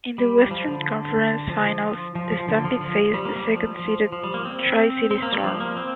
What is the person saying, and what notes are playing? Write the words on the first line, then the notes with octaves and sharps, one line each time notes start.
In the Western Conference Finals, the Stampede faced the second seeded Tri-City Storm.
G3
F3
D3
F3
F3
F3
D3
F3
F3
G3
A#3
G3
F3
F3
F3
G3
A#3
C4
C4
A#3
G3
F3
A#3
C4